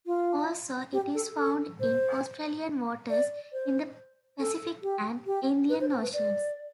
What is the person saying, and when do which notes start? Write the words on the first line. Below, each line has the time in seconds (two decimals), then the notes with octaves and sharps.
Also, it is found in Australian waters, in the Pacific and Indian Oceans.
0.06 F4
0.93 G4
1.15 A4
1.37 A4
1.80 C5
3.10 D5
3.53 C5
4.40 A4
4.83 G4
5.26 G4
5.69 B4
5.81 C5
5.91 C5
6.02 B4
6.13 D5